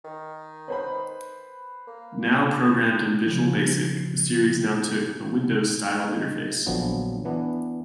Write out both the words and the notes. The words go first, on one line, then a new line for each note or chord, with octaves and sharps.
Now programmed in Visual Basic, the series now took a Windows style interface.
D#3
B4 C5 B5
A#3
C#3 F3
D#4
A#1 D3 F3 F#3 B3
E3 B3 D4